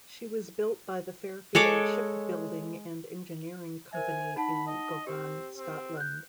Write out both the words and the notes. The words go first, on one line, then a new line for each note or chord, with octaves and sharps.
She was built by the Fairfield Shipbuilding and Engineering Company in Govan, Scotland.
G#3 A4 C#5 D6
A#4 C5 E5 G#5
D#4 F#5 A5 B5
D#5
C4 G4
C4
F#6 G6